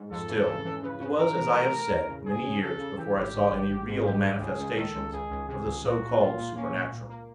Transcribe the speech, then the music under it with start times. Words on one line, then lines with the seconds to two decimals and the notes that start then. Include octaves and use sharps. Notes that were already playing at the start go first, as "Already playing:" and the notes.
Still, it was as I have said many years before I saw any real manifestations of the so-called supernatural.
Already playing: G#2
0.10 F2 A4
0.29 E3
0.46 C#3
0.65 E3
0.82 C#3 B4
1.00 C#3
1.18 C#3 A#4
1.36 E3
1.54 A3
1.72 A3
1.90 E2
2.08 C#3
2.26 C#3 G#4
2.44 C#3
2.61 C#3 A4
2.80 C#3
2.97 E3 G4
3.15 G#1
3.33 G#2
3.51 G#1
3.70 G#1
3.87 G#2
4.05 G#2 G4
4.23 G#2
4.41 C#2 G#4
4.59 C#2
4.76 D#3 A4
4.95 C#2
5.13 C#2 G#4
5.30 C#2
5.48 C3 G#4
5.66 C#2
5.84 A#2 F#4
6.02 A#2
6.19 A#2 F4
6.38 A#2
6.55 A#3 C#4
6.74 A#2
6.91 A#2
7.09 A#3